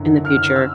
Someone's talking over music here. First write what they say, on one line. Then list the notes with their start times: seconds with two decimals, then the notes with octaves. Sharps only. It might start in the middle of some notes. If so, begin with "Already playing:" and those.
in the future,
Already playing: F#1 F#2 D3
0.25 F6
0.56 E6